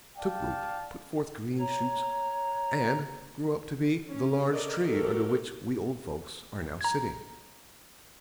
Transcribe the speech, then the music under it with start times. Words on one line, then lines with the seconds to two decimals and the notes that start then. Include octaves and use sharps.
It took root, put forth green shoots, and grew up to be the large tree under which we old folks are now sitting.'
0.18 D5 F5 G5 A5
1.59 C#5 A#5
4.09 C#4
4.50 A4 A#4 D5 D#5
4.84 F#4 G4 A4 A#4
6.81 A#5 G#6